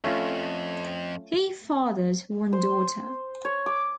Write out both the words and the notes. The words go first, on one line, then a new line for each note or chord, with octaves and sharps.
He fathered one daughter.
F2 A3 C#4 F4
C5
C#5
D6